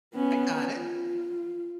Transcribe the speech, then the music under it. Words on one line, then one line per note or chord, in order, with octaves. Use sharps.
I got it.
B3 C#4
F4